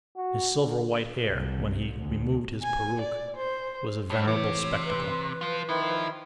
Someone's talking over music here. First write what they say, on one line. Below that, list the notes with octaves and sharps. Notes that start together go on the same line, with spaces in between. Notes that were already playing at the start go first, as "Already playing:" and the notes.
His silver-white hair when he removed his peruke was a venerable spectacle.
F#4
D3
C2
D2
G#5
D5
C5
G2 C#5
C3 E3 C#5
B4
F3 F4
D#3 F3 E4